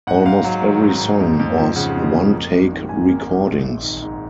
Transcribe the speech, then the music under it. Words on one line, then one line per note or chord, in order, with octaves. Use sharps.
Almost every song was one-take recordings.
G#2 F#5
G#2 F5
F#3
D#3
G#2
G#2
F2
F2
F3
C#3 F#5
F2
F2
A#3
G#1
D#3
G#2 G#5
A#3
G#1
A#1
A#1
D#3
G#2